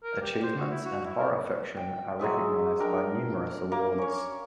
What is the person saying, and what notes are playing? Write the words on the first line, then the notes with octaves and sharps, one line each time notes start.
Achievements in horror fiction are recognized by numerous awards.
A#4
G4
C5
F#4
E4
F#4
E4
A#4
G5
F#3 G#3 G#4 E5
D4 A#4 G5
A#3
C#4 C#5